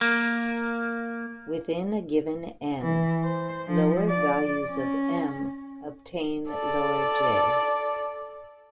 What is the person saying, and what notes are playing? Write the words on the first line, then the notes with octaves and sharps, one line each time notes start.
Within a given "n", lower values of "m" obtain lower "j".
A#3
E3
C5
F3
D5
C#4
A4 D5